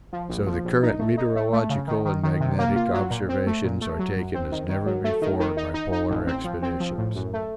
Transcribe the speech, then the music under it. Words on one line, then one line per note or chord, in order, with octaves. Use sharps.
So the current meteorological and magnetic observations are taken as never before by Polar expeditions.
F3
A#1
F3
A#1
D#4
A3
D#4
A3
A3
C#3
D#3
D#3
D#3
C3
A#3
F4
F#3
A#2
C4
A3
A#2
A3
F#3
F#2
C4
D#3
D#3
F#3
A3
D#3
D#3
D#4
D#4
D#4
A1
C4
F3
C4
F3
A2
F#2
A3